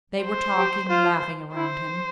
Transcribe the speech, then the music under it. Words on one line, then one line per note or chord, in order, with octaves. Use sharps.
They were talking, laughing around him.
C5
G4
F4 C5
E4 C5